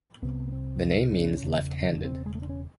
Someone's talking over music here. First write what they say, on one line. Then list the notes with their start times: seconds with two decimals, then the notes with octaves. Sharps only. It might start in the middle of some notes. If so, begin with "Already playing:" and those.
The name means "left-handed".
0.22 C2 C3 B3
0.48 B3
0.52 C4
1.14 C#4
1.43 E1 E2 C#3
1.90 D4
2.04 C4
2.26 G#3
2.35 A3
2.42 D4
2.49 C#4